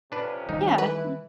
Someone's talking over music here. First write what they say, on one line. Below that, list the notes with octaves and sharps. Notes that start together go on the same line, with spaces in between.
Yeah, y
F2 C3 C#4 D4 B4
D#3 G3 A3 D#4
E3 B4